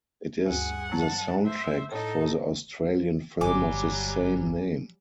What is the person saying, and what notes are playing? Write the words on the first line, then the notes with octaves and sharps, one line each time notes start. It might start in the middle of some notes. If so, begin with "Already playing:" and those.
It is the soundtrack for the Australian film of the same name.
D2 G2 G#4 F#5
F#3 A5
C5 E5
A2 D#4 A4 A5
G1 F#3 G3 G#5 D6